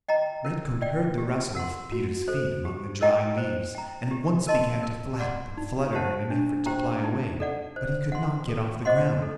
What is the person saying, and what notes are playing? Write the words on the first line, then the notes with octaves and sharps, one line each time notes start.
Redcoat heard the rustle of Peter's feet among the dry leaves and at once began to flap and flutter in an effort to fly away, but he could not get off the ground.
D#5 G5 A#5
A#4
D5 G5
G4
A#4 F#5 C6
F#4
A4 C5
G4
A#4 D#5 G5 A#5
C5
G5 A#5
G4
A#4 D#5 A5 C6
A#4
D5 F#5 C6
D#4
G4 C5 F#5 A5
D4
G4 C5 G5 A#5
D#4
A4 D5 F#5
C5
F#5 C6
A4
C5 D#5 F#5 C6
A4